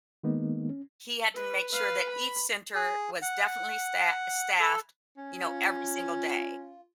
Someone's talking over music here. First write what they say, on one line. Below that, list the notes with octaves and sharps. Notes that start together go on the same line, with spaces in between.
he had to make sure that each center was definitely sta staffed, you know, every single day.
D#3 G#3 A#3 B3 D#4
C#4
B4
B4 F5
B5
G#4
F#5
A4
C#4
F4